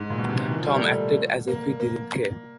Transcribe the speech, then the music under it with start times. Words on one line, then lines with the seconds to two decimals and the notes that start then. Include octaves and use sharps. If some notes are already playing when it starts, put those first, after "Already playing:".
Tom acted as if he didn't care.
Already playing: G#2
0.10 A#2
0.18 B2
0.28 C3
0.39 D#3
0.50 E3
0.58 F3
0.66 G3
0.75 A#3
0.82 A3
1.48 A#3
1.80 A#3